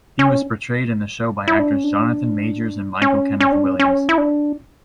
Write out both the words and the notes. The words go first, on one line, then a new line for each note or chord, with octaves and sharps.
He was portrayed in the show by actors Jonathan Majors and Michael Kenneth Williams.
C#4
E4
D4
C#4
D4
C#4
C#4
D4
C#4
C#4
E4
D4